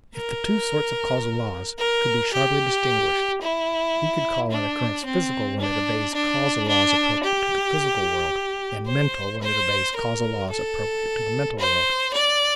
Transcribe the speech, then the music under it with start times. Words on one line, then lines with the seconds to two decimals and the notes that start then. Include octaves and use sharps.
If the two sorts of causal laws could be sharply distinguished, we could call an occurrence "physical" when it obeys causal laws appropriate to the physical world, and "mental" when it obeys causal laws appropriate to the mental world.
0.15 A#4
1.78 A#4
2.33 G4
3.42 E4
4.51 D4
5.05 C4
5.60 D4
6.14 D4
6.68 D4
7.24 G4
8.86 C5
9.42 C5
9.96 A#4
10.51 A4
11.59 C5
12.13 D5